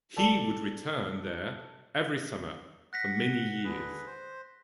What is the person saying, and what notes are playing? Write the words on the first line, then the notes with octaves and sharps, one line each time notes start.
He would return there every summer for many years.
A4 D5 A5
F#5 F#6 A#6 B6
D3 G#4 B4
C5